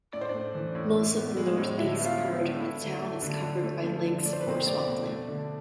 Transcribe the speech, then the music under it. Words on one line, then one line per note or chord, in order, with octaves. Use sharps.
Most of the northeast part of the town is covered by lakes or swampland.
A2 D5
C5
A3 D4 D5
E3
A2
A2
B3
G#3
A2
D3 E4 E5
B3 E5
F4 F5
G#3
B3 B4
D3
A3 E4
D3
A3
D3
D3
A3
F3
D3
A3 D5
C5
B4
B2 C4 C5
A3 D4 D5
B2
A3
D3